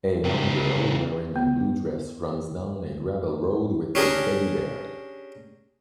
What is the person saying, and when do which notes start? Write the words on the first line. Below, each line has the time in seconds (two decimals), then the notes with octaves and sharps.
A young girl wearing a blue dress runs down a gravel road with a teddy bear.
0.24 C#3 G4
1.36 B3
3.95 C#4 D4 G4 G#4 A#4